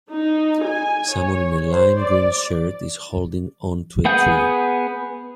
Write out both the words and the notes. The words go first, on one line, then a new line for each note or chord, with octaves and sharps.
Someone in a lime green shirt is holding on to a tree.
D#4
G#5
C#5
C5
D5
B3 G#4 F#5 G6